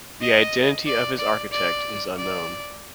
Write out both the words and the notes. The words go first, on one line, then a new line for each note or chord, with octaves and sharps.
The identity of its architect is unknown.
D#5
D5
D5
D5
D5